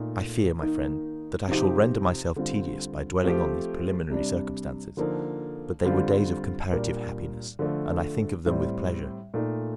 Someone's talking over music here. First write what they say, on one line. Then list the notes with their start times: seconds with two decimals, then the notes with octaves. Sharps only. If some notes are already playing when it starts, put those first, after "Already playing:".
I fear, my friend, that I shall render myself tedious by dwelling on these preliminary circumstances; but they were days of comparative happiness, and I think of them with pleasure.
Already playing: A#2 A3 D#4 A4
0.61 D#3 A#3 D#4 A#4
1.48 C3 F3 C4 D#4 G4
2.36 D3 G3 C4 F4
3.24 F3 A3 C4 G4
4.10 C3 G3 D4
4.97 D3 F3 A#3 D#4 A4
5.85 D3 G3 C4 F4
6.72 A#2 G3 D4 G4 A#4
7.59 D3 F3 A3
8.46 A2 G3 C4
9.34 A#2 A3 D#4